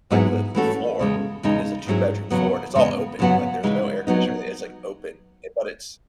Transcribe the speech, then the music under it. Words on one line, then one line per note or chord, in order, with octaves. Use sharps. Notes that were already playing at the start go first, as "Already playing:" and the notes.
like, the the floor is a two bedroom floor, and it's all open. Like, there's no air conditioner or a it's, like, open, eh, but it's
G#2 F#3 B3 E4 G#4
E3 A3 C#4 F#4 A4
E2 C#3 G#3
E2 C#3 G#3 D#4
G#2 F#3 C#4 E4 G#4
E2 C#3 F#3 B3
E2 C#3 G#3 B3
F#2 C#3 F#3 B3 F#4
C#3 E3 G#3 D#4
F#3 B3 D#4